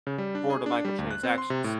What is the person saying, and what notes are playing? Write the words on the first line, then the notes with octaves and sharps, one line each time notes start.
for the microtransactions.
C#3
G3
D4
G#4
D4
G3
D2
F#6
C4
C6
C3
A2